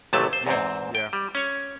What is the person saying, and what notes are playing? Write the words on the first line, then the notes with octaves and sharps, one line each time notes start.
Yes, yeah.
A1 D#2 C3 F#3 A3 A5
C5
E2 G#2 C4
G5
G3
C#4 C#5